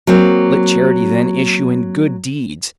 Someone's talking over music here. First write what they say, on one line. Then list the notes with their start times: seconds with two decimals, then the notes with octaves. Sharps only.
Let charity then issue in good deeds.
0.07 F#3 A#3 C4